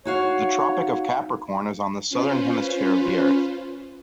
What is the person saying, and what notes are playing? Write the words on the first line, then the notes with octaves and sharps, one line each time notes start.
The Tropic of Capricorn is on the Southern Hemisphere of the earth.
D#4 F#4 C#5 F5
C#4 F4 B4 C5